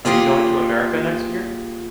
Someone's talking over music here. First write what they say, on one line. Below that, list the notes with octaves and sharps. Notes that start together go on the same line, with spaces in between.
Are you going to America next year?
A#3 F4 G4 G#4 F#5